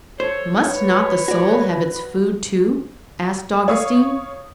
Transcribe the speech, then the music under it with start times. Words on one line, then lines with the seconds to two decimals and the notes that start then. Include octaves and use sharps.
"Must not the soul have its food too?" asked Augustine.
0.20 A4 C5 C#5
0.69 B4
1.28 F#4 D5
3.68 C#5 F5 D#6